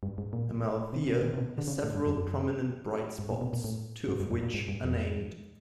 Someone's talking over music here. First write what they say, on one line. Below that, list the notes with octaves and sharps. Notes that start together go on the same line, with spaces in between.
Amalthea has several prominent bright spots, two of which are named.
G2
G#2
A#2
C3
B2
A#2
C3
B2
D3
C#3
A2
G2
F#2
F#2
G#2
A#2
B2
A#2
A2
G#2
G2
F#2
A#2
G#2
G2
F2